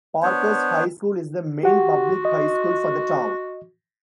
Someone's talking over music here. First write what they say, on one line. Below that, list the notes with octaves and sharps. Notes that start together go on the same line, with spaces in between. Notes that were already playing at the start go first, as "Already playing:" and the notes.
Parkes High School is the main public high school for the town.
B3 D4 C5 C#5
F#4 G4 F#5
D#5